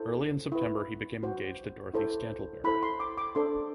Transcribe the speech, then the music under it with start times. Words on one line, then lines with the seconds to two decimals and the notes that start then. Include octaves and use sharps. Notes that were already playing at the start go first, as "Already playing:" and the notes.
Early in September he became engaged to Dorothy Scantlebury.
Already playing: E4 A4 C5
0.52 E4 B4
1.23 F#4 C5
1.94 E4 A4 C5
2.64 E4 A4 C5 B5
2.83 C6
3.00 D6
3.18 D6
3.35 D4 A4 C5 C6